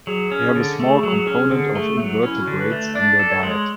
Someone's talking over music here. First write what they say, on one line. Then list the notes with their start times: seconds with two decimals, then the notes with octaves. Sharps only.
They have a small component of Invertebrates in their diet.
0.07 F#3 G#4
0.32 C#4
0.55 D3
0.80 A3 G#4
1.03 F#3
1.27 C#4
1.51 D3
1.75 A3
1.99 F#3
2.23 C#4 E4
2.41 F#4
2.48 D3
2.59 B4
2.72 A3
2.95 D4 D5
3.19 A4
3.31 C#5
3.43 G#3